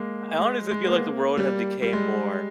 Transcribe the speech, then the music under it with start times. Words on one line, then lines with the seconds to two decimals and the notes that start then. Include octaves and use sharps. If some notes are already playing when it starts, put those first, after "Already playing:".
I honestly feel like the world has became more
Already playing: G#3 A#3
0.38 G#3
0.71 G#3
0.84 B3
0.88 A#3
1.37 G3
1.82 G3
1.93 G#3